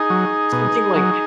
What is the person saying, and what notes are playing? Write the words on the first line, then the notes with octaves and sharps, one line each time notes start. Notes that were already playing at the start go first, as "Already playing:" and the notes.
something, like,
Already playing: D#4 G#4
F#3
B2
F#3